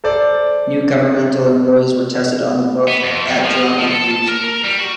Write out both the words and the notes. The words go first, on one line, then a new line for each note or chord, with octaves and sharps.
New governmental employees were tested on the book at job interviews.
A4 C5 D5
B3
F2
D#2
F3
D#5
F3
A4
A5
A#4
A#4
G3
F#4